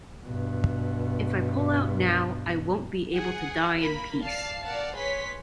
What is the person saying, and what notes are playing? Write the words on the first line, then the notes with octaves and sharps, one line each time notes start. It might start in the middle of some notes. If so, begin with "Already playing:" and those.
If I pull out now, I won't be able to die in peace.
G2 B2
G#4 F#5
A#3 A#4 B5
D5 F5 A5 C7
A#4 D5 F5 F#5 A5
G#4 B4 C#5 C6 B6